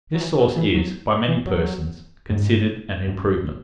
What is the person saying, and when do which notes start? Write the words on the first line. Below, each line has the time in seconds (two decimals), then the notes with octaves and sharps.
This sauce is, by many persons, considered an improvement.
0.14 F#3
0.21 E3
0.39 F#3
0.56 E3
0.74 F#3
1.28 E3
1.46 F#3
2.29 F#2
2.35 G#2
3.07 F#2